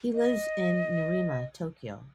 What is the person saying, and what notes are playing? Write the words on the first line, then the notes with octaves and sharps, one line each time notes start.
He lives in Nerima, Tokyo.
D#5